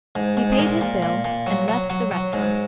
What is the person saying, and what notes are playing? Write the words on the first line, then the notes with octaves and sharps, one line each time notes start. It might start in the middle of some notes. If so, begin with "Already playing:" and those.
He paid his bill and left the restaurant.
G#2
G#2
G#3
A#2 A#3
A#2
A#2
A#2
F#3
F#3
F#3
F#3
G#2